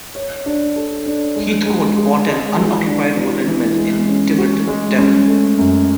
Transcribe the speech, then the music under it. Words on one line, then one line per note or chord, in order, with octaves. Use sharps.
Heathcoat bought an unoccupied woollen mill in Tiverton, Devon.
C#5
D4
A4
D4
G#3
G#3
G#4
G#3
E3
D4
E3
E3
G#3
C#4
F#4
G#3
C#4
A3
F#2